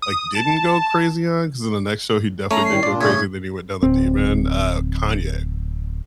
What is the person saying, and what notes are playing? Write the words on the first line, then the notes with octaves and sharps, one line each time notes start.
like, didn't go crazy on, 'cause in the next show he definitely did go crazy, then he went down the deep end, uh, Kanye.
D#6
A5
A3 C#4 A#5
A2 D#3 G3 C7
A#2 D4 F4 D5
A2 C#3 G#6
D1 C4